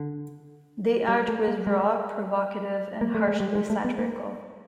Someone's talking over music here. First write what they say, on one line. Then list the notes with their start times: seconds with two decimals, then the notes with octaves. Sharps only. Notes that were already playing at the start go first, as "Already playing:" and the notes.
The art was raw, provocative, and harshly satirical.
Already playing: D3
1.08 G3
1.28 A3
1.48 A#3
1.67 G#3
3.01 A#3
3.15 A3
3.28 G#3
3.40 G3
3.55 G#3
3.70 A3
3.85 B3
3.99 A#3